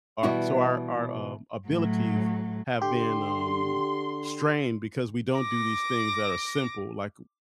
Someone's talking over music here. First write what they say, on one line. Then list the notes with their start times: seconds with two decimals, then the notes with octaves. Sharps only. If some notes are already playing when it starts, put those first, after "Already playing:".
our so, our our, um, abilities have been, um, strained because we don't do these things that are simple, like
0.23 B2 E3 G3 E4 F#4
1.68 A2 F#3
2.82 D3 G4 C6
5.36 D6 A#6